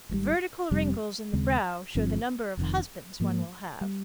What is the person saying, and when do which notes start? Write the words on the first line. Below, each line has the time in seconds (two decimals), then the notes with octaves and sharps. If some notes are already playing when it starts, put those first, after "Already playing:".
Vertical wrinkles in the brow show the number of husbands one will have.
0.09 G#1 G#2 D#3 G3
0.71 F1 F2 C3 G3
1.33 D#2 C#3 G#3 C4
1.95 G1 G2 F3 C4
2.57 F1 F2 D#3
3.20 G#2 F3 A#3
3.81 G3